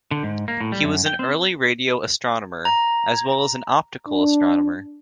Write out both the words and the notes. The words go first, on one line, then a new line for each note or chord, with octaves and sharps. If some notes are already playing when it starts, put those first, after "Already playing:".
He was an early radio astronomer, as well as an optical astronomer.
D3
G#2
A#3
A2
G3
F#2
G5
C4
A#5
D4